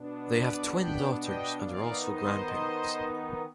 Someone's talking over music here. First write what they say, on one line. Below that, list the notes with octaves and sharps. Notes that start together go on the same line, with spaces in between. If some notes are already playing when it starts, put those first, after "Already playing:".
They have twin daughters and are also grandparents.
Already playing: B2 B3 D4
B4 D5
G5 B5
D#5 G5
D#3 B3 D#4 D5 F5
C5 D#5